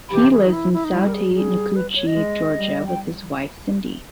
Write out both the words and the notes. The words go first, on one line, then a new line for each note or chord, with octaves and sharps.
He lives in Sautee Nacoochee, Georgia with his wife Cindy.
E3 G4
G#4
D#4
E4
E4
D#4
G3 E4
A#4
G#4
G3 G#4
B4
C#5
D#5
G#3
G3
G5